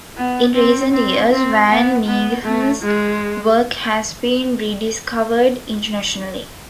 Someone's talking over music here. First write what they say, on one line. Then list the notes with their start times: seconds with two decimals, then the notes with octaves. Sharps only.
In recent years Van Mieghem's work has been rediscovered internationally.
0.17 B3
0.55 C4
0.93 C4
1.31 C4
1.69 B3
2.06 B3
2.44 A3
2.82 G#3